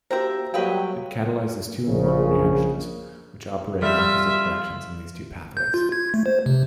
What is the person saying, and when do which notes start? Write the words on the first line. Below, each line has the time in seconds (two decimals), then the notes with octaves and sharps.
It catalyzes two important reactions, which operate in opposite directions in these two pathways.
0.11 A#3 F#4 G4 C5 E5 G5 A#5
0.54 F#3 G3 A#3 B4 D#5 F5 G5
1.87 A#1 C#3
3.82 G3 F4 E5
5.57 G6
5.74 F4
5.92 G#6
6.14 A3
6.26 C5
6.46 C3